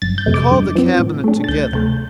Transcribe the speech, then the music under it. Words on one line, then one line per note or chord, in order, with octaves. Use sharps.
He called the Cabinet together.
G1 A6
G6
F2 C3 A3
D6
G2
F3 C4
A2
A3 D4
A6
D2 G6
C3 A3 G6